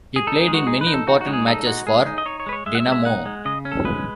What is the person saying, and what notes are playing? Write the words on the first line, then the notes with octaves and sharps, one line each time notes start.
He played in many important matches for Dinamo.
G#4
D#4 A4
G#4
G#3
F#4
D#4 G#4
B4
D#4
A4
D#4 F#4
F#4
G#3
G#4
D#4 A4
G#3 F#4
G#3 G#4
D#4
D#5
D#4 C#5
C#5
G#3 B4
C#5
G#3 E5
F#5
E5
G#3
E5
D#4 F#5
G#3
C#3 D#5
C#4
A4
G#3 B4